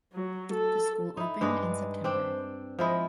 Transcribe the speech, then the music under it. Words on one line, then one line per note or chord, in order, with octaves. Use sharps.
The school opened in September.
F#3
A4
D#4 E4
G2 G#3 D4 D#4
C4 D4 G5
F3 G#3 E4 D#5